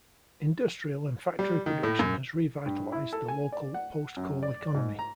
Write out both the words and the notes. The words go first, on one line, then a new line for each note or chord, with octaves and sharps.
Industrial and factory production has revitalized the local post-coal economy.
G3
D#3
A2
F#2
G2
E4
A4
G#5
D5
F#5
F#2
D5
G#2
A#5